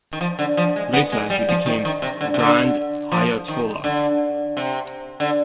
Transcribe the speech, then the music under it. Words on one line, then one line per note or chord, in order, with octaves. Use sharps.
Later he became Grand Ayatollah.
D#3
F3
D3
F3
G#3
B3
G#3
G3
F3
D#3
D#3
C3
D3
C3
D3
F3
D#3
D3
C3
D3